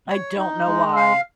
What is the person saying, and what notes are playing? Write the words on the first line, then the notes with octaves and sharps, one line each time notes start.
I don't know why.
C#5
D#4
G#3
F5